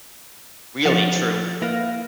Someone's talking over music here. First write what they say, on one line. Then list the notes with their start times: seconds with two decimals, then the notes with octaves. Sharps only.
Really true.
0.86 F3 F#5 A6
1.62 A#3 E4 B4 F5 A#6